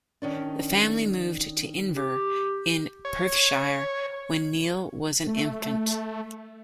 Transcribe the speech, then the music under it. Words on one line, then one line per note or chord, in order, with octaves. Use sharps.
The family moved to Inver in Perthshire when Niel was an infant.
D#3 C#4 D4
G4
C#5
A3